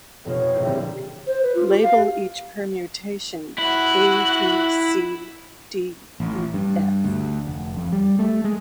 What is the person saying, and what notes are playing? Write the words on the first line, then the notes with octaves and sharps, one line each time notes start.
Label each permutation "A B C D E F".
F1 B2 F4 C#5
G#1 E4 G6 C7
A#2 D3 G3 C4 G4 G#4
C5
B4
F4
G4
F5
E4 F#4 F#6
A1
G2
D2
F1
F2
G3
A3
G#3